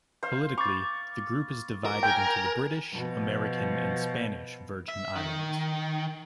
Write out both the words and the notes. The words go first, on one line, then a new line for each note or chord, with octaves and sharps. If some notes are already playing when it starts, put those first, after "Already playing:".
Politically, the group is divided into the British, American, and Spanish Virgin Islands.
C5 F5
B5 C#6 D6 A6
A#4
G5 G#5 G#6
B2 F3
E5
D#3